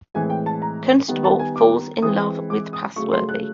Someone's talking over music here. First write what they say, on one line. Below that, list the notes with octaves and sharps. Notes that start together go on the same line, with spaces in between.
Constable falls in love with Passworthy.
A2 E3 G#3 C4 G#5
G5
A5
A#5
D#3 G3 B3
A5
G#5
D6
E3 G#3 C4 D#6
D6
D#6
C#3 F#3 A3 C#6
C6
F#6